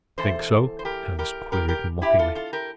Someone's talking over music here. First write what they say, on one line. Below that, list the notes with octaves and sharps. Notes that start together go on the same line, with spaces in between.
"Think so?" Ernest queried mockingly.
E2 E3 A4 C5
C5
G4 A#4
G4 A#4
G4 A#4
G4 A#4
E4 G4
F4 A4
F4 A4
G4 A#4